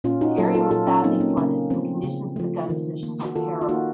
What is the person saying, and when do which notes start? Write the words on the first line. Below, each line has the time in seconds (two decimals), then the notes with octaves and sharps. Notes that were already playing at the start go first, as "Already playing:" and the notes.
The area was badly flooded and conditions at the gun positions were terrible.
0.04 A#2 C#4 F4
0.21 D#4 F#4
0.37 F#3 A#3 F4 A4
0.55 F4 A4
0.71 A#2 F4 A4
0.87 C#4 F4
1.04 F#3 A#3 C4 D#4
1.15 D#4
1.20 A#3 C#4
1.37 C#3 A#3 C#4
1.70 F3 A3 C4
2.03 C#3
2.36 F3 A3
2.69 D#3
3.03 A#3
3.25 F#4
3.36 D#3 F4 A4
3.61 F4
3.69 A#3 D#4 F#4